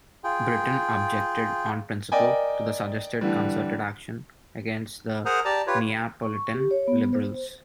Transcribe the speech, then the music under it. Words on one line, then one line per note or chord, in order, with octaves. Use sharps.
Britain objected, on principle, to the suggested concerted action against the Neapolitan Liberals.
F4 G#4 G5
A#4 D5 D#5 G5 G#5
D3 E3 G3
G#4 A#4 C5 F#5 A#5 D#6
G4 D5 A5 A#5
F4 G4 B4 C#5
C#6
G4
C#5
B3
C5